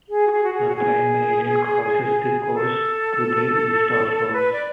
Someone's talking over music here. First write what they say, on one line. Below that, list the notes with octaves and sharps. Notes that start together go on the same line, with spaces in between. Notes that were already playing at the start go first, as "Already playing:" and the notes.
The Prime Meridian crosses the coast to the east of Roos.
G#4
F#4
G#4
F#4
G#4
F#4
G#4
A4
B4
D5